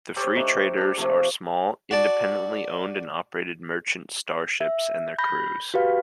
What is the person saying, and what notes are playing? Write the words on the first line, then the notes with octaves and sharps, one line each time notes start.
The Free Traders are small, independently owned and operated merchant starships and their crews.
G4 A4 C5 C#5
A3 D4 D#4
D4 G#4
C3 F3 A3
F#4 D5 A5
E5
B5 G6 A#6
F#4 G4 B4 F5